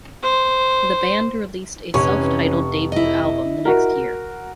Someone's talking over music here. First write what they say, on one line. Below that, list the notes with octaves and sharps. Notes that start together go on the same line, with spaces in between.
The band released a self-titled debut album the next year.
C5
F1 E3 C#4 C#6
E4 D#5
F#4 A#4